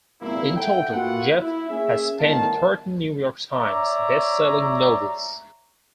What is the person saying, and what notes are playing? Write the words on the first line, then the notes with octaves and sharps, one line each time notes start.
In total, Jeff has penned thirteen "New York Times" bestselling novels.
G#1 E2 A#2 A#3 E4
A4 E5 F#5 G5
A#3 F4 F#4 A4 B4 F#5
E4
A#3 C#4 G#4 E5
G1 A2 D#3 F5 A5
C#5 D5 E5 A#5